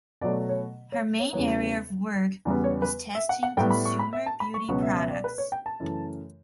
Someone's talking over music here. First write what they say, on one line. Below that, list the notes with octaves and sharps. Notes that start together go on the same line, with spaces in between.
Her main area of work was testing consumer beauty products.
B2 F#3 A3 D5
C#5
C#5
C#5
E2 C#3 E3 G3 B3 C#5
E2 C#3 G3 B3 D5
C#5
B4
E5
F#5
F#5
A2 G3 B3 G5
B5
C#6
B5
E5
A5
B5
C#6
C#2 B2 F#3 B3 C#6
E5
E5
D5
B4
C#5
G5
A5
F#2 C#3 E3 A3